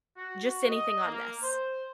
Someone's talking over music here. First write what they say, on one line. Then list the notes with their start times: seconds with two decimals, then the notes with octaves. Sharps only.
"Just anything on this
0.17 F#4
0.70 D#5
1.04 A#3
1.43 C5